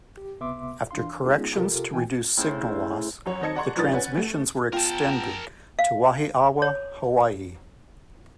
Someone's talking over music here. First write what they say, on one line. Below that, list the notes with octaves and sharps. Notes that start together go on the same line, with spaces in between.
After corrections to reduce signal loss, the transmissions were extended to Wahiawa, Hawaii.
G4
C#2 C3 B3 E5 C6 D6
E3 D4 F5 C6
G#3 B3 C#4 D#4 F4 G#4
C3 F4 G4 A4 A#4
A#2 E3 G5 G#5
A2 C#3 C5
F#2 F#4 C#5
D#3 C4 D#5 A5 G#6 C#7
D5 F#5 A5 A#5 C6 C#6
A#1 G2 F3 D#4 B4 A6
C#4 B4 F#5 G#5
A3
B3 F4 A#4 G5 A5
F5
C#5